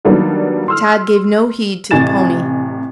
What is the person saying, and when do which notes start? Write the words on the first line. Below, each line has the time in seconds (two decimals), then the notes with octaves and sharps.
Tad gave no heed to the pony.
0.05 D#3 F#3 G3 A#3 B3 D4
0.68 C6 E6 F6
1.91 A1 C3 G#5 A6 E7